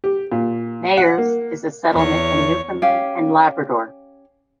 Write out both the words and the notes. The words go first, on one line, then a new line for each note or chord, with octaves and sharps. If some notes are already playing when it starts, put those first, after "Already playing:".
Mahers is a settlement in Newfoundland and Labrador.
G4
A#2
F#5
A#3
E2 C#5
C#4 G4 F5